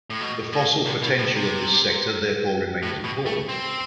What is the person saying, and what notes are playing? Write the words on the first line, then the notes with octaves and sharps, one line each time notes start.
The fossil potential of this sector therefore remains important.
A2
B2
A2
C3
B2
A2
C3
A2
B2
A3
C4